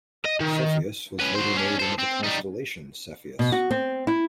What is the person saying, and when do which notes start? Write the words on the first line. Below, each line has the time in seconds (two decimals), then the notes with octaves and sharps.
Cepheus was later made into the constellation Cepheus.
0.25 D#5
0.40 D#3
1.20 C#4 B4
1.35 F#3 C5
1.57 C#4 D4
1.79 A4 C5
1.99 C4
2.24 G3 D#4
3.39 B2
3.52 F#4
3.71 C4
4.07 E4